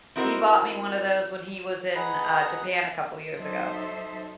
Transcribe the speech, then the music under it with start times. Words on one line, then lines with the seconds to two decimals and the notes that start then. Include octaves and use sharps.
He bought me one of those when he was in, uh, Japan a couple years ago
0.16 C4 D#4 E4 F#4 A#4 C5
1.95 G#4 B4 D#5 F#5 A#5 B5
3.37 F#3 D#4 A4 C5 E5